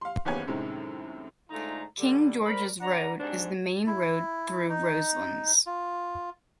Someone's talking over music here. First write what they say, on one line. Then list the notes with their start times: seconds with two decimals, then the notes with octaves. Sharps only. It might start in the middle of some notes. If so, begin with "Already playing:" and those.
King Georges Road is the main road through Roselands.
0.01 F5 C6
0.25 F#1 D#2 B3 C#5 G#5 G#6
0.47 F#2 A2 C3 D#3 G#3
1.50 G#2 D3 A3 D#4 F4 A#5
1.99 D3 G3
2.46 A#4 C5 D5 B5
2.80 D4 F#5 A#5
3.19 G#2 C3 C4 D4 F#4 C5
3.87 E4
4.69 D#4
5.66 F4